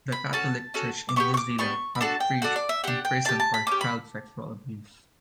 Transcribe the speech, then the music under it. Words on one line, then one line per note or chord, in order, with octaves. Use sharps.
The Catholic Church in New Zealand had priests imprisoned for child sexual abuse.
B5
C#4 F#4 A4 A5
C#4 F#4 A4
D6
B3 D4 G4 C#6
C#6
D6
B3 D4 G4 C#6
B5
D4 F#4 A4 A5
G5
D4 F#4 A4 F#5
D5
E5
D4 G4 F#5
G5
D4 G4 A5
A5
B5
C#4 G4 D6
B5